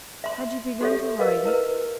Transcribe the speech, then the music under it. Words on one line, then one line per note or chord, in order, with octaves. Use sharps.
Had you begun to write it?
E5 C6
F#4 G4 A4 C#5 E5
A#4 B4 D#5 F5
E4 A#4 B4